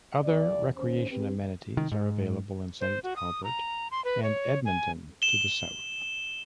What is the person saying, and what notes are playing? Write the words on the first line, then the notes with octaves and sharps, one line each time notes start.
Other recreation amenities are available in Saint Albert and Edmonton to the south.
E2 D5
D#2 C#4 C5
C4 G4 B4
D#3
G#2
C5
F#4
D#6
A#5
C6
B4
C#5
G#5
E7 G7